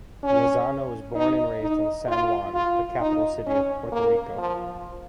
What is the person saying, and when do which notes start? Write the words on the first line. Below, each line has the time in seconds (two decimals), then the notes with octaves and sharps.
Lozano was born and raised in San Juan, the capital city of Puerto Rico.
0.23 C#4
1.15 D#4
1.61 D#4
2.08 F4
2.54 F4
3.00 D#4
3.46 C#4
3.92 A#3
4.38 F3